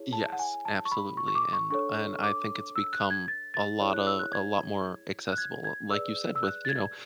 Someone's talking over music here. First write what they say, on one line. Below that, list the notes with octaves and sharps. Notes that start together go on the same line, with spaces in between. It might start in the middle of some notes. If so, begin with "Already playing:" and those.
Yes, absolutely, and and I think it's become a lotta a lot more accessible, like you said, with, you know,
Already playing: E4 G#4 C#5
A5
F#5
G#5
A5
C#6
B5
C#6
C#6
D6
C#6
D4 A4 C#5 C#6
D6
E6
F#6
G#6
A6
A6
E4 G#4 C#5
F#6
E6
F#6
G#6
F#6
G#6
G#6
G#4 B4 D5 E6
E6
F#6
A6
G#6